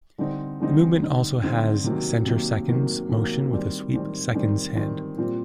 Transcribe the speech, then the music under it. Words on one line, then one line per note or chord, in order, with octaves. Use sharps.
The movement also has centre seconds motion with a sweep seconds hand.
D3 G3 C4 D#4
D3 G3 C4 D#4
D3 G3 C4 D#4
D3 G3 C4 D#4
C3 D#3 F#3 A#3
C3 D#3 F#3 A#3
C3 D#3 F#3 A#3
C3 D#3 F#3 A#3
D#3 G3 C4
D#3 G3 C4
D#3 G3 C4
D#3 G3 C4
A#2 G3 C4